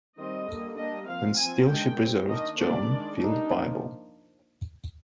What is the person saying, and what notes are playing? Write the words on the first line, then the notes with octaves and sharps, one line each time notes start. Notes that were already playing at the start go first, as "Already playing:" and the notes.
And still she preserved John Field’s Bible.
D#3 G3 C4 D#5
D3 G3 A#3
G3 A#3 D4 D#5
F3 C4 F5
F3 C4 G#5
D#3 G#3 D4 G5
G3 C4
D#3 A#3 D4 D#5
D#3 A#3 D4 D5
D#3 G#3 D4
G3 A#3 D4 D#4
F3 A#3 D4